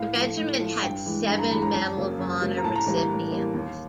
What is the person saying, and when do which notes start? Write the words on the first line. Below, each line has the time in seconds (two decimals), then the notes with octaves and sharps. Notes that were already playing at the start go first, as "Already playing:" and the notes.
The regiment had seven Medal of Honor recipients.
Already playing: A2 F5
0.15 F3 A3
0.37 A2
0.60 F3 A3
0.82 G2 G5
1.06 E3 G#3
1.27 G2 B5
1.39 A#5
1.51 E3 G#3 B5
1.62 A#5
1.72 F#2 A5
1.96 C#3 F#3 A#3
2.19 F#2
2.41 C#3 F#3 A#3
2.58 A#5
2.64 A2 A5
2.76 A#5
2.86 E3 G3 A#3 A#5
2.97 A#5
3.09 A2
3.32 E3 G3 A#3
3.54 D#2